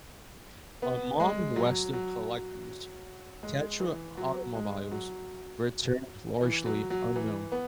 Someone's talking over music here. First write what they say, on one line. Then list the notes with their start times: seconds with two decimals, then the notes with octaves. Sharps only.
Among western collectors, Tatra automobiles remain largely unknown.
0.82 B3
1.20 G#3
1.56 F#3
1.93 F#3
3.43 G#3
3.80 E3
4.17 F#3
4.54 G#3
4.91 F#3
6.41 E3
6.66 F#3
6.90 F#3
7.16 E3
7.52 B3